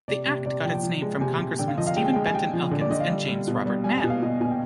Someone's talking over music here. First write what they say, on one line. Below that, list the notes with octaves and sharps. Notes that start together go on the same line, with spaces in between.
The Act got its name from congressmen Stephen Benton Elkins and James Robert Mann.
C3 D5
C3
C3 D5
F3 G5
G5
F3
G#3
C3 G#5
C3
D3 G5
F5
F3 D#5
F5
G#3 G5
G#5
G#3 G5
G#5
G#3 G5
F3
D3
D5
D3 D#5
F5
G3
G3
B2
G3
G3 G#5
G#5
B2
F5
B2 D#5
B2 G#5
G5